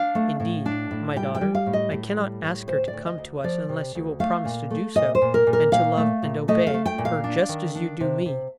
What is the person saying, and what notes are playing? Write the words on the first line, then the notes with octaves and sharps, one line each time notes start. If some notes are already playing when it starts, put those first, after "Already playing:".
Indeed, my daughter, I cannot ask her to come to us unless you will promise to do so, and to love and obey, her just as you do me.
Already playing: D4 F5
A3
A2
D4
A2
G3 G5
G5
G3
F5
A2
D#5
A2
G3
A2
D2 C5
D5
D2
D#5
D2
F3 D5
C3
D2
A3 F5
A#2
A3
A#2 D#5
C5
A#2
A#4
A#2
A#4
A#2 F5
A3
A#2
A3 D#5
F5
A3
G5
A#2
F5
D4
D#3
D4
C3
C3